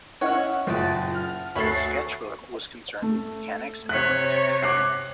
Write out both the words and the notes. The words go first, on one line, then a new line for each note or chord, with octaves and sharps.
The sketchbook was concerned with mechanics and architecture.
C#4 E4 C#5 D#5 F#5 F6
F#1 A#2 C4 F#5 G5 A5 D#6
F6
D2 A4 C#5 F#5 A5 B5 C7
A3
C3 C#5 F#6 B6
D6 F#6 C7